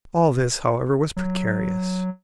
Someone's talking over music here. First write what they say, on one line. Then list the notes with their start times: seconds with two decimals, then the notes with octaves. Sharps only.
All this, however, was precarious.
1.16 F#3